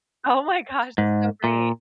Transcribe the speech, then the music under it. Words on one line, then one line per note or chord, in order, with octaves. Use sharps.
Oh my gosh. That's so great.
G#2
A#2